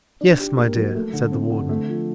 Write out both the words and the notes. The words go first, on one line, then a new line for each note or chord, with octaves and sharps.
"Yes, my dear," said the warden.
D4
G4
A#3
F#3
A3
D3
C4
D3
A3
F3